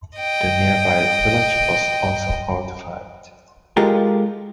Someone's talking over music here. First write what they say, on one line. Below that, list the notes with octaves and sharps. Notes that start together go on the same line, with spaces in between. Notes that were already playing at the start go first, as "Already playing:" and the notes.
The nearby village was also fortified.
D#5 G5
G#3 F4 G4 A4 A#4